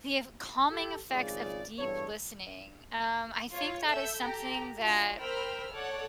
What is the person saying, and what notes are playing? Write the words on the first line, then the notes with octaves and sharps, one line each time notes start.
The ef calming effects of deep listening. Um, I think that is something that,
G4 A4
G#1 C#2 C#3 F4 G#4 D5
E2 G2 A4 C#5
F4 C#5
A4 E5 E6 G6
G4 A4 A#5
D4 F4 F#4
A#4 C5 G5 B5 E6 F6
A4 C#5 D5 F#5